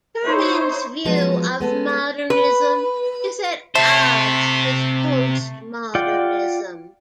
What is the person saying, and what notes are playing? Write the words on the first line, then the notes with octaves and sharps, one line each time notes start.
Berman's view of modernism is at odds with post-modernism.
D#4 E4 C5 C#5
F3 F#3 G#3 B3
G#3 B3 A4
B4
C3 A3 C5
F4 D5 F#5 G5